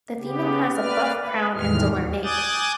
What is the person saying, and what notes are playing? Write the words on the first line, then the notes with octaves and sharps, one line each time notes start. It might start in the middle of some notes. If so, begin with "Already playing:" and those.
The female has a buff crown and duller nape.
C#3 B3 G4
A#3 B4 D5 F6
B4
E2 A2 D#3 G3 G#3 F6
D#2
G#5 D6 D#6 F#6 G6 A6